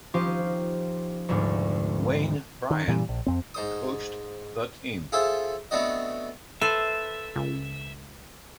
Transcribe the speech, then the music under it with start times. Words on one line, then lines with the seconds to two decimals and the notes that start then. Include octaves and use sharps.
Wayne Bryan coached the team.
0.14 F3 C#4 D#4 F4 G4 C5
1.28 F1 D2 G#2
2.70 D#3
2.88 A#2 E3 G3
3.09 A#1
3.27 F2 C4
3.54 G#2 C5 D#6
5.12 F4 G#4 A4 C5 E5
5.71 A3 B3 C4 D4 F#4 D#5
6.61 A4 B4 C5 E5 C7
7.36 C#2